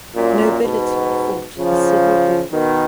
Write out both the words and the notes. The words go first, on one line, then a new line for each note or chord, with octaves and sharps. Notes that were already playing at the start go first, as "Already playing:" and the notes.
Nobility fought a civil war.
F#2 A#2
G#2 B2
C#3 F3
B2 D#3